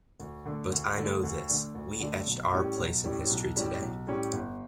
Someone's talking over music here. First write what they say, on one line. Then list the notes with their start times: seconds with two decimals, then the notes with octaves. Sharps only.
But I know this: We etched our place in history today.
0.20 D2
0.46 D3 A3 D4
0.72 D2
0.97 D3 A3 D4
1.23 D2
1.49 D3 A3 D4
1.75 D2
2.00 D3 A3 D4
2.26 B1
2.52 A2 G3 C#4 G4
2.77 B1
3.04 A2 G3 C#4 G4
3.29 B1
3.56 A2 G3 C#4 G4
3.82 B1
4.07 A2 G3 C#4 G4
4.33 G1